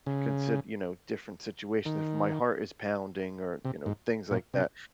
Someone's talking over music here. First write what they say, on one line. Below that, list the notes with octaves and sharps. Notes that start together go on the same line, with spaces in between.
consid you know, different situations, if my heart is pounding or, you know, things like that,
C#3
D#3
C3
G#2
A#2
C3